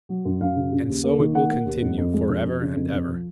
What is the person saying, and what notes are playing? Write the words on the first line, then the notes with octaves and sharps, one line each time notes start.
And so it will continue for ever and ever.
F#3
F#2
F#2 F5
C#3
C#3
D#2
A#3
D#3
A#3 F#5
A#3
D#2
F2
F2
G#3
F2
F2
C#3
F2
F2
F3